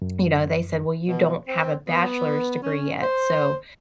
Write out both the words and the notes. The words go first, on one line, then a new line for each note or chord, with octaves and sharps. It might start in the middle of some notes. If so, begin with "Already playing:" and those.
you know, they said, "Well, you don't have a bachelor's degree yet, so
F#2
B2
C4
B3
C#4
C5